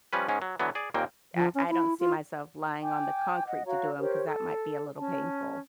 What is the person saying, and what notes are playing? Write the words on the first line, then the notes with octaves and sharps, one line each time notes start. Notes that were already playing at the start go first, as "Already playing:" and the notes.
I I don't see myself lying on the concrete to do 'em because that might be a little painful.
F3 G3 C#4 B4
G#2 G#3 C#4
F#3
D3 E3 F#3 B3
G#4 D5
D#2 A#2 A#3 C4 G5
F3
C#4
E4
F4
G5 G#5 D6
D#5 F#5
F#4 C#5 F5 A#5
G4 A#4 C5 C#5
A4
C#4 A5